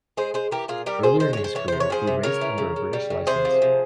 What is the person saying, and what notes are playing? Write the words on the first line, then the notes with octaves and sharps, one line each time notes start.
Earlier in his career he raced under a British licence.
G#3 G#4 C5
G#3 G#4 C5
E3 G4 A#4
A#2 F4 G#4
G3 G4 A#4
A#2 G#4 C5
G#3 C5
G#3 C#5
C5
E3 C#5
C3 C5
C#5
F3 G#4 C5
C3
C#3 A#4 C#5
E3
C#3
C#3
G3
C#3
C3 G#4 C5
F3
C3